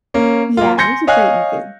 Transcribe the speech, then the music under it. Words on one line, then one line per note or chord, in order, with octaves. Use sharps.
Yeah, it was a great movie.
A#3 C#4
A#3 F4
G#5 C6 G6 A#6 C#7
C#5 D#5 F5 G#5 F#6